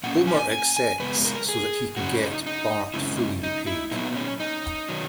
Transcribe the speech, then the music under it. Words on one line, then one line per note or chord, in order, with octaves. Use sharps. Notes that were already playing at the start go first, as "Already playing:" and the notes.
Homer accepts so that he can get Bart fully repaid.
A#2 A#3 C#4 F#5
G#5
G#5
G#5
F#2 C#3 G#3 B3 B4
A#4
G#4
F#2 C#3 F#3 F#4
D#4
D#4
F#2 C#3 G#3 C#4 E4
D#4
E4
A#2 F#3 B3 D#4
C#4
D#4
D#3 F#3